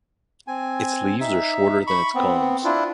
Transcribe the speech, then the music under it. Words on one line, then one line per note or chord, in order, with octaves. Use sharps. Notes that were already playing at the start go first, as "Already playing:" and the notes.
Its leaves are shorter than its culms.
C4 G#5
D#4 E5
B5 C#6
B3 C4
D4 E4 F4